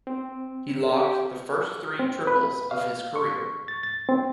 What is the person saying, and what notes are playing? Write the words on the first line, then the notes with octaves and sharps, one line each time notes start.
He logged the first three triples of his career.
C4
G4
C4
B4
F5
C#6
A6
A6
C4